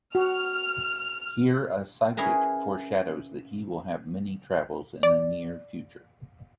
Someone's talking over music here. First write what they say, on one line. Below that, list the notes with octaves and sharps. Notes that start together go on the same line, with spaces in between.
Here a psychic foreshadows that he will have many travels in the near future.
F#4 F6
C#4 E4 G#4 A#4 B4
D5